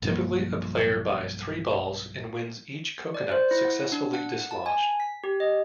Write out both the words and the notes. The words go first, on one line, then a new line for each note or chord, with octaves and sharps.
Typically a player buys three balls and wins each coconut successfully dislodged.
B1 G2 F3 A#3
D5
C5
E4
F#5
D4
F#5
A5
G#5
B6
G4
D#5